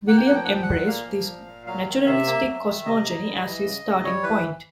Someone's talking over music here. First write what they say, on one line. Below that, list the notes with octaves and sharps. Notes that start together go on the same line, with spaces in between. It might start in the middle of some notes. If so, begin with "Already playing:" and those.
William embraced this "naturalistic cosmogeny" as his starting point.
A#3 F#5
G5
F3 F#5
G5
A#2 F#5
G5
A#2 F#5
A#3 F5
F3
A#2
A#2
F#3 F5
D#3
C3 E5
A#3
F#3
D#3
C3 D#5
A#3
G3
E3
C#3
C#3
G3 C#5
E3 B4